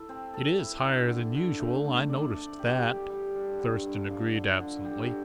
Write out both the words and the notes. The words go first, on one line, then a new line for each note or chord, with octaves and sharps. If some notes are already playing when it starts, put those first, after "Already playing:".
"It is higher than usual; I noticed that," Thurston agreed absently.
Already playing: E4 A4
C4
A4
E4
D3
D3
D3
A3
A3
D5
D5
G4
D5
G3
D4
D3
D3
F3
D3
D3
G4